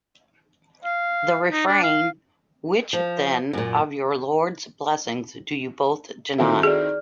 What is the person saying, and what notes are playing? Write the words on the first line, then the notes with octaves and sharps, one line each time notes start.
The refrain, Which, then, of your Lord's blessings do you both deny?
F5
D#4
D4
F5
F3
F#2 A#2
D#3 C4 E4 F#4 A4
G#4 D5 F6